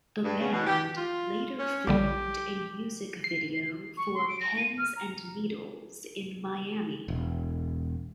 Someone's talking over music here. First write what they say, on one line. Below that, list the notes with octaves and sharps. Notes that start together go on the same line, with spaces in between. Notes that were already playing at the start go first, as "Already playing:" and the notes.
The band later filmed a music video for "Pens and Needles" in Miami.
G2
C#3
B2
G4
F4
C#4
A#1 D3 G3 G4
C7
C#6
C6
D7
A#6
D#7
F6
A#5
E1